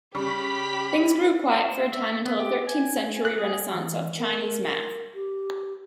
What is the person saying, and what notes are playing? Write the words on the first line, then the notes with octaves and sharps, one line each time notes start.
Things grew quiet for a time until the thirteenth century Renaissance of Chinese math.
C#3 G3 G4 B5 C#6 B6
C5
E5
B3
G4
G#5
F#6
G#4
E3
A#4
G4